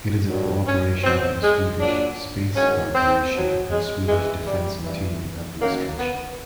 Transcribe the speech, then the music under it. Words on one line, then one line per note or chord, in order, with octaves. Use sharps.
It is a co-operation by the Swedish Space Corporation and Swedish Defence Materiel Administration.
G2 D#3 F#3
C#4
B2 F#3 C4
G#3
A#2 F#3 D4
G#2 D#3 F#3 C#4
C4
B2 F#3
G#3
G#2 E3 G#3
G3
G2 E3
F#2 D#3 F#3 A#3
B3